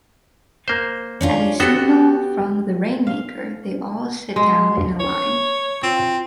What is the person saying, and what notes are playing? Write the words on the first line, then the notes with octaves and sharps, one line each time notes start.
At a signal from the rainmaker, they all sit down in a line.
A#3 C5
C#4 D4 F4
B3 F#4 G4 A4
F5
G#3
C#5
C4 F4